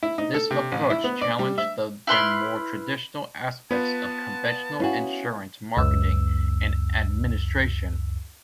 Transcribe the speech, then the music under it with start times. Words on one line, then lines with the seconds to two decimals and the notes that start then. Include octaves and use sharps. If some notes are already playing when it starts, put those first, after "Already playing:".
This approach challenged the then more traditional aspects of conventional insurance marketing and administration.
0.03 E4
0.18 D#4
0.34 A4
0.51 C3
0.72 A1
0.90 E4
1.04 B3
1.21 D5
1.39 G3
1.58 E5
2.07 E4 B4 C6 F6
3.71 B3 F4 B4 A5
4.79 C#4 E4 F#4 F5 G#5
5.77 C#2 F#2 E6